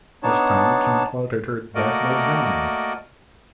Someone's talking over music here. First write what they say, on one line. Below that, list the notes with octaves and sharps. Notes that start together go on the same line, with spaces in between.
This time the king plotted her death by drowning.
B3 D4 D#4 C#5 A5
A3 A#3 F#4 A#4 D5 D#5